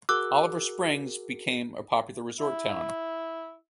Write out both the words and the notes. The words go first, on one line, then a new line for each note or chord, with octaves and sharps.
Oliver Springs became a popular resort town.
F#4 G#4 A#4 D6 E6 F#6
E4